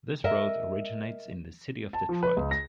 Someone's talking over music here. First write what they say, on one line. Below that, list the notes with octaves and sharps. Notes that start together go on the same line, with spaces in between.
This road originates in the City of Detroit.
A#4 D#5 E5
A5
F3
B4
C#2
A#6